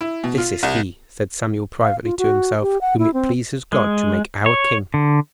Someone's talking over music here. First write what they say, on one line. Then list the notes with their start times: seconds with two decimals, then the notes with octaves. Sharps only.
This is he, said Samuel privately to himself, whom it pleases God to make our king.
0.01 E4
0.24 B2
0.38 F4
0.63 C2
1.82 F5
2.04 F4
2.18 F#4
2.62 G4
2.81 F#5
2.99 E4
3.14 C4
3.73 G#3
4.46 C#5
4.94 D3